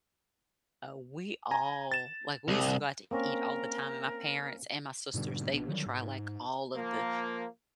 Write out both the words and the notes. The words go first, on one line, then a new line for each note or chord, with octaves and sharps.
uh, we all, like, we used to go out to eat all the time, and my parents and my sisters, they would try, like, all of the
G#5 A#5
A6 E7
C2
A#3 C4 C#4 A#4
G#2 B2 D3 G3
A#1 B2 B3 D4
D3 D#3 F#3 G3
G#2
F3 A#3